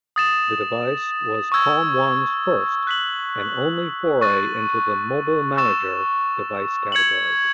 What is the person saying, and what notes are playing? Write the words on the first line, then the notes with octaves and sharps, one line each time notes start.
The device was PalmOne's first and only foray into the "Mobile Manager" device category.
D#6 A6 E7
C#6 E6 G#6
F#6 B6 F#7
C#6 F#6 A6 D#7
C#6 E6 A6 E7
G#6 C#7 F#7